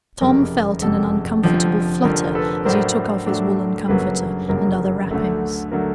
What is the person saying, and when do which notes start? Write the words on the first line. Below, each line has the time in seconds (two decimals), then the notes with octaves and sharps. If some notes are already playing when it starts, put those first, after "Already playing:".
Tom felt in an uncomfortable flutter as he took off his woollen comforter and other wrappings.
0.21 F#1 F2 C3 A#4
0.82 F#1 F2 C3 A4
1.43 F1 F2 D3 F3
2.04 F1 F2 D3 F3 A#4
2.35 A4 B4
2.65 A2 F#3 A3 D4 A#4 C5
3.26 A2 F#3 A3 D4
3.88 G1 F#2 C#3 F#3 A#3 A4 B4
4.49 G1 F#2 C#3 F#3 A#3 A#4
5.11 D2 D3 F#3 A3
5.72 D3 F#3 A3 A#4